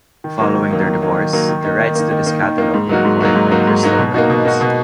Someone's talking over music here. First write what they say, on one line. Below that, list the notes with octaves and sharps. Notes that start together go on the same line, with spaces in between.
Following their divorce, the rights to this catalog were acquired by Crystal Records.
D#3
F#3 A#3 D#4
D#3
F#3 A#3 D#4
D#3
F#3 A#3 D#4
D#3
F#3 A#3 D#4
D#3
A#3 D#4
D#3
A#3 D#4
D#3
A#3 D#4
D#3
A#3 D#4
G#2
F#3 A#3 D#4 F#4
G#2
F#3 A#3 D#4 F#4
G#2
F#3 A#3 D#4 F#4
G#2
F#3 A#3 D#4 F#4
B2
A#3 D#4 F#4
B2
A#3 D#4 F#4
B2